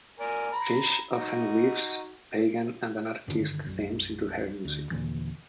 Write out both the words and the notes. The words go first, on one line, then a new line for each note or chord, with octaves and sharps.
Fish often weaves Pagan and anarchist themes into her music.
A#4 D5 G#5
A#5 B5
D#4 F#4
G2 D3 D#3
B1 F#2
D2
D#2 A#2 D3 E3